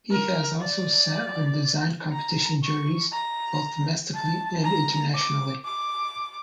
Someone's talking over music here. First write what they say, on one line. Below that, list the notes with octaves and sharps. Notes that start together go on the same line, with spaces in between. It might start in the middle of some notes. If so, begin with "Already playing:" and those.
He has also sat on design competition juries, both domestically and internationally.
A#4
D5
A#5
C#6
A#5
A5
A#5
D6
D6